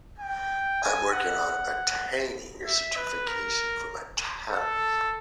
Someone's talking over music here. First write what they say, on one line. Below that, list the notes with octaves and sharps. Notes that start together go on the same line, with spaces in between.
I am working on attaining certification for my talents.
G5
G#5
F#5
E5
B4
A#4
A4